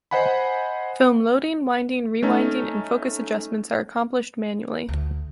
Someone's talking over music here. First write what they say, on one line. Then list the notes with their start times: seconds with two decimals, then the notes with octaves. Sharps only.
Film loading, winding, rewinding, and focus adjustments are accomplished manually.
0.11 C5 D#5 F#5 G#5 B5
2.23 A3 C#4 D#4
4.89 D2